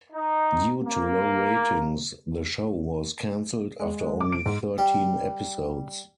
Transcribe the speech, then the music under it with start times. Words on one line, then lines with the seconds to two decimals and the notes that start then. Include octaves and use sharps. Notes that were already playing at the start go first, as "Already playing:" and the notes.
Due to low ratings, the show was cancelled after only thirteen episodes.
0.13 D#4
0.85 A#3
3.80 G#3
4.07 G#3
4.20 D6
4.32 D7
4.46 G#2
4.78 G3